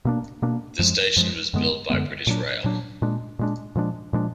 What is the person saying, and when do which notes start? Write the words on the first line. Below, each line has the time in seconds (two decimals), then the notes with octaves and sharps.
The station was built by British Rail.
0.05 B2 A#3 D4
0.42 B2 A#3 D4
0.79 F#2 F3 G#3
1.16 F#2 F3 G#3
1.54 F#2 D3 G#3 B3
1.90 F#2 D3 G#3 B3
2.27 A#2 F#3 D4
2.64 A#2 F#3 D4
3.02 A#2 G#3 D4
3.39 A#2 G#3 D4
3.75 A#2 F3 G#3 D4
4.13 A#2 F3 G#3 D4